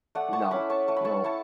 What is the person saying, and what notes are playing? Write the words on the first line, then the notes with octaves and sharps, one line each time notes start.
No. Nope.
A3 D5 F#5
A5 C#6
C#4 E4 B5 D6
A5 C#6
A3 C#6
B5
A5 C#6
E4 A5 C#6